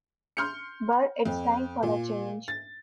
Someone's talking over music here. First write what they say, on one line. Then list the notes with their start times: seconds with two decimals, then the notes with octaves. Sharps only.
But it's time for a change.
0.37 C6 F6 G6 C#7
1.26 F2
1.83 A#2
2.48 A6